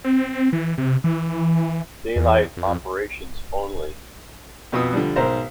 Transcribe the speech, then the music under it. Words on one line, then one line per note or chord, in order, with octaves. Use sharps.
Daylight operations only.
C4
E3
C3
E3
E2
F2
F2 B2 B4 D#6 E6
D3 F3 G3
B1 G#2 A#4 C5 A#5